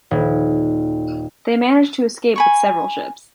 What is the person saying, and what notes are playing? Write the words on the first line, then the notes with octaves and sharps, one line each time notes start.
They manage to escape with several ships.
D#1
G#5 B5 C#6